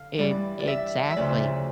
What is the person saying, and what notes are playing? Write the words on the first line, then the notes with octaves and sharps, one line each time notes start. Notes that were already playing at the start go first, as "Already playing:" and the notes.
e exactly.
Already playing: D3 F5
G2 E3 G3 D5
D5
E5
E5
D2 C#3 F3 D5